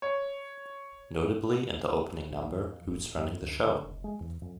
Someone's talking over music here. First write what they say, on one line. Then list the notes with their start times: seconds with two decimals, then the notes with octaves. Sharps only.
Notably in the opening number Who's running the show?
0.02 C#5
2.30 A#1
2.50 E2
2.65 F2
2.85 D#1
2.99 A1
3.17 F#2
3.41 D2
3.65 D3
3.82 F1
4.04 G#3
4.20 E2
4.41 F2